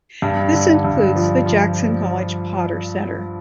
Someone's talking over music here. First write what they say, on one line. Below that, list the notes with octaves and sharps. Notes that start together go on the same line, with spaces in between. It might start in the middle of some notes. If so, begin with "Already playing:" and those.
This includes the Jackson College Potter Center.
G2
D3
G2
F3
F3